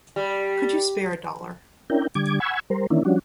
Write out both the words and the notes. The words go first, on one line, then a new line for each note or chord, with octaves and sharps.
Could you spare a dollar?
G3
C#4 D4 E4 A#4 G5
D3 G3 D6 G#6
F#5 G#5 B5 C#6 E6 G#6
G3 A#4 C5
D#3 E3 A#3 C#4 D4 E4
F3 G3 C#4 D4 F#4